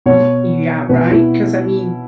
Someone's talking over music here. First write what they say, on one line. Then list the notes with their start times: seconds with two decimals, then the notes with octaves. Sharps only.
Y yeah, right? 'Cause, I mean
0.06 B2 C#5
0.89 B2 B4
1.10 E4